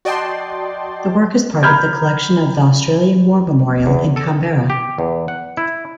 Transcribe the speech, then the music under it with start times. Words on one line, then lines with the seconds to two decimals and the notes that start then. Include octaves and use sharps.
The work is part of the collection of the Australian War Memorial in Canberra.
0.05 F#4 D5 D#5 G5 A5 C6
1.63 A#5 B5 F6 G6 G#6
3.86 E2
4.16 A4
4.70 G4
4.98 E2
5.28 F#5
5.57 E4